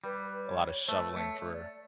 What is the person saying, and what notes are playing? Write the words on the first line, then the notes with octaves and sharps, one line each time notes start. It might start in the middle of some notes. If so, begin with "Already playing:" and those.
a lotta shoveling for
G3 B4
C#5
C#5
A3 B4
C#5
A3
D5